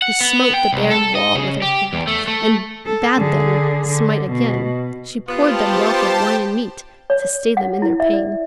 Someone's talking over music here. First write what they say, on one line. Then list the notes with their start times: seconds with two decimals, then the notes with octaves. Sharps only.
She smote the bare wall with her hand And bad them smite again; She poured them wealth of wine and meat To stay them in their pain.
0.02 F#5
0.21 B3
0.54 G5
0.73 C2
0.91 A4
1.15 D#5
1.35 C#3
1.62 G4
1.93 E2
2.07 A3
2.28 A3
2.86 A4
3.16 D3 G#4
3.88 D3
4.31 B2
5.28 B3 F4 G4 C5 A5
7.10 C#5
7.57 F#5
7.82 E4
8.00 E5
8.13 D5